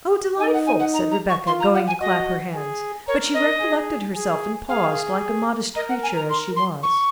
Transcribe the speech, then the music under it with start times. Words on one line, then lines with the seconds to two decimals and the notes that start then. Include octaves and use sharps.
"O, delightful!" said Rebecca, going to clap her hands; but she recollected herself, and paused, like a modest creature, as she was.
0.39 D#4 G#5
0.53 F#5
0.66 G#5
0.79 F#5
0.93 A#5
1.11 A#5
1.29 C#6
1.46 F4 C6
1.60 A#5
1.74 F#5
1.87 G#5
2.00 F#4 D#5
2.54 G#4
3.07 A#4 C#5
3.34 D#5
3.60 G#4
4.15 G#4
4.68 G#4 F5
5.75 A#4 D#5
5.89 F#5
6.03 G#5
6.15 A#5
6.29 C6
6.56 C6
6.83 C#6